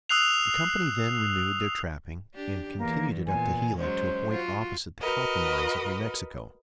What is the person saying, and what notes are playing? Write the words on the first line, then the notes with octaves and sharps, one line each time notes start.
The company then renewed their trapping, and continued it up the Gila to a point opposite the copper mines of New Mexico.
D#6 E6 F#6 C7 F7
D4 G4
E2 A#3
A#2 B3 G#5
F#3 G#3 C#4 C5
F4 F#4
F#4 A#4 B4 D#5